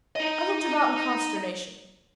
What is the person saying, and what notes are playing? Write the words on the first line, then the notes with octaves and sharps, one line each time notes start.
I looked about in consternation.
D#4 D#5